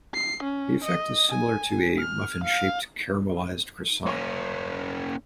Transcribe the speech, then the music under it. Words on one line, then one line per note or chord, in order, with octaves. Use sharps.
The effect is similar to a muffin-shaped, caramelized croissant.
C7
C#4
D#5
G#5
F6
F5
A#3 C#4